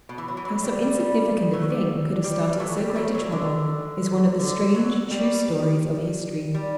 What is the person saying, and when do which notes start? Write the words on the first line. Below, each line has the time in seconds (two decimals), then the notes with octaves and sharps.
How so insignificant a thing could have started so great a trouble is one of the strange, true stories of history.
0.09 B2
0.18 E3
0.28 F#3
0.37 E3
0.45 F#3
0.63 G3
0.82 G3
1.00 G3
1.17 G3
1.53 F#3 A3
1.70 G3
2.24 G3
2.60 F#3 A3
2.78 G3
2.96 F#3 A3
3.15 F#3
3.32 D3
4.39 D3
4.75 F#3
5.11 G3
6.55 G3